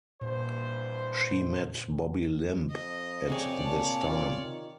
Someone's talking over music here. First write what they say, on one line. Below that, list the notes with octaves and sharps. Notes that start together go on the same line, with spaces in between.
She met Bobby Limb at this time.
E2 G2 A#2 C5
F2 D#5
C3 G4 G#4 C#5 D5
A#2 A5
F4
D#3